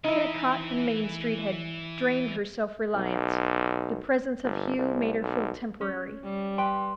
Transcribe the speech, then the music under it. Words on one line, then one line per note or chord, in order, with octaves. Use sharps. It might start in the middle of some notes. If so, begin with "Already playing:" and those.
Kennicott and Main Street had drained her self-reliance; the presence of Hugh made her feel temporary.
E3 D#4 E4 G#5
B1
G1
C2
B1
C#4
G3
B4 G5 C6